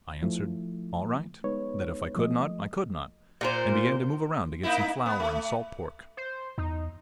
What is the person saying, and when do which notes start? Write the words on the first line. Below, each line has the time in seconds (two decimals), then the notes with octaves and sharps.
I answered "all right," that if I could not I could not, and began to move around to get some flour and salt pork.
0.22 F3 A3 E4
1.44 G#3 B3 D#4 B4 C#5
2.16 F3 A3 D#5
3.41 A#2 A#4 C5
4.63 A#3 D#4 E4
5.06 B3
5.20 A3
6.17 C5
6.58 E2 D#4